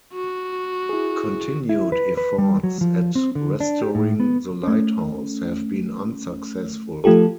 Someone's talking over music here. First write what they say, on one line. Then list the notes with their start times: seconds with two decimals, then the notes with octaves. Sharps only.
Continued efforts at restoring the lighthouse have been unsuccessful.
0.14 F#4
0.89 E4 G#4
1.69 E4
1.92 B4
2.17 B4
2.38 G3
2.63 F#3
2.81 F3
3.15 C4
3.35 D3
3.60 D4
3.82 G4
3.95 A2
4.20 B3
4.63 A3 C#4
7.04 F3 A3 F4 G4 A4